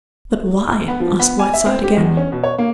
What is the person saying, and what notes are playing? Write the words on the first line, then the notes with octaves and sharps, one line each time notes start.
"But why?" asked Whiteside again.
B3
F3
B3
G#5
E5
C4
G4
E2
C#4
B2
C#5
A#3